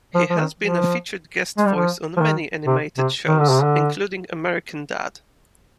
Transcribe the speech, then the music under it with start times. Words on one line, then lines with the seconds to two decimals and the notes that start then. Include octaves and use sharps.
He has been a featured guest voice on many animated shows, including American Dad!
0.15 F3
0.30 F3
0.38 D#3
0.60 F3
1.58 G#3
1.66 G3
1.75 F3
2.17 F3
2.21 D#3
2.67 C3
2.98 C3
3.28 D#3
3.39 D3
3.51 C3
3.63 D3